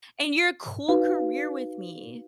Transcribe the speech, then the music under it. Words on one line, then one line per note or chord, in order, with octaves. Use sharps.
and your cool career with me.
D#4 F#4 B4 F5